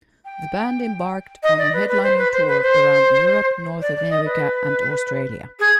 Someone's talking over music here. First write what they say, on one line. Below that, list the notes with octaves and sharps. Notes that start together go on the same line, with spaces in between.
The band embarked on a headlining tour around Europe, North America and Australia.
G5
D#5
D5
B4
B4
C5
B4
C5
B4
C5
D5
D5
D#5
B4
G#4